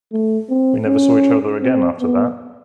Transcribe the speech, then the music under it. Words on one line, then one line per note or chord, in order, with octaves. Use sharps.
We never saw each other again after that.
A3
C4
C#4
C4
B3